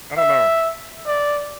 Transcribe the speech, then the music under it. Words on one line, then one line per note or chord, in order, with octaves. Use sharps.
I don't know.
E5
D5